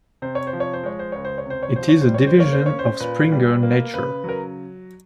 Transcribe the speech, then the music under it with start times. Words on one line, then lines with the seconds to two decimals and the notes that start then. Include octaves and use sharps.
It is a division of Springer Nature.
0.22 C3 C5
0.35 C#5
0.47 C5
0.53 F3
0.60 C#5
0.73 C5
0.83 G#3 C#5
0.99 C5
1.12 C#2 C#5
1.25 C5
1.38 C#5
1.45 C3
1.50 C5
1.63 C#5
1.76 F3 C5
1.89 C#5
2.01 C5
2.07 G3
2.14 C#5
2.27 C5
2.38 A#3 C#5
2.53 C5
2.66 C#4 C#5
2.79 C5
3.00 A#2 B4
3.32 G3
3.63 A#3
3.94 C#3 B4
4.24 F#3 A#4